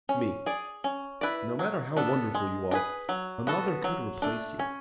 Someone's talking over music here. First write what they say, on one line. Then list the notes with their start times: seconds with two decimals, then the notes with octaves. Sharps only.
ME: No matter how wonderful you are, another could replace you.
0.09 C#4
0.46 G#4 D5
0.84 C#4
1.21 E4 B4 D5
1.59 F#3
1.97 B3 D4 A4
2.35 G#3
2.71 D4 G#4 B4
3.09 F#3
3.47 B3 F#4 A4
3.84 F#3
4.22 A3 D4
4.59 C#4